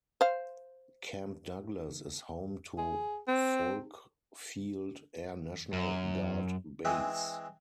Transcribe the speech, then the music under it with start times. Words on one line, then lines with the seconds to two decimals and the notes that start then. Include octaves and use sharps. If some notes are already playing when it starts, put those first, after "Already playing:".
Camp Douglas is home to Volk Field Air National Guard Base.
0.21 C5 F5
2.78 G#4
3.28 C4
5.73 F#2
6.85 E3 G#3 C4